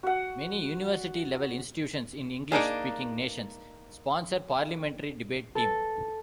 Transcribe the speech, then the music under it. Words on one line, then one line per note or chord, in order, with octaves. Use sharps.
Many university-level institutions in English-speaking nations sponsor parliamentary debate teams.
F#4 F#5
A#3 D4 D#4 G#4
A4